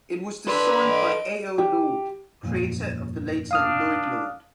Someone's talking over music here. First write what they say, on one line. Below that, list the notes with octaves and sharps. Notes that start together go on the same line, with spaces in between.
It was designed by A. O. Lord, creator of the later Loyd-Lord.
D4 A4 B4 B5 C6 E6
D#5 D7
G4
G1 F2 A#2
D4 F5 D#6 F6